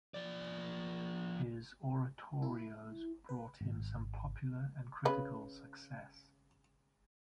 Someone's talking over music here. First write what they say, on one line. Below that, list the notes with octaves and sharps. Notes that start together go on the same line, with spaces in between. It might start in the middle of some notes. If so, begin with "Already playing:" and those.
His oratorios brought him some popular and critical success.
F3 D5
E4
B4
G#1
C#3 B4